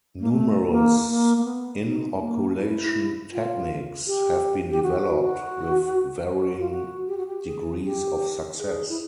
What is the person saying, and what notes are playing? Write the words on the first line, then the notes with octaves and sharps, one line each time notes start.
Numerous inoculation techniques have been developed, with varying degrees of success.
A#3
A3
A#3
A#3
A#3
B3
D#4
A#3
E4
F4
G4
G4
F#4
F#4
F#4
F4
F#4
G4
F#4
G4
G#4
G4
G#4
E4